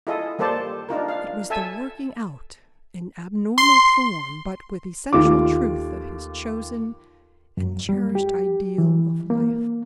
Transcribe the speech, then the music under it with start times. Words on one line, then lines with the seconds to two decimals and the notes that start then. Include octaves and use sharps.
It was the working out, in abnormal form, but with essential truth, of his chosen and cherished ideal of life.
0.07 E4 F4 G#4 A4 D#5
0.39 G3 A#3 A4 C5 D5 A5
0.89 D4 D#4 F4 A#4
1.08 F5
1.50 A4 E5 G#5 A5
3.58 C6
5.13 D#2 A3 F4 D6
7.57 F#2
7.89 G3
8.15 G4
8.78 E3
9.30 A#3